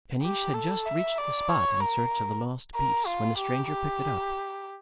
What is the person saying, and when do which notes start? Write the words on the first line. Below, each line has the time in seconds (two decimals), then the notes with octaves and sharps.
Caniche had just reached the spot in search of the lost piece when the stranger picked it up.
0.23 G4
0.54 A4
0.86 E5
1.18 D5
1.49 C#5
1.81 A#4
2.75 A#4
3.06 F4
3.38 G4
3.69 G4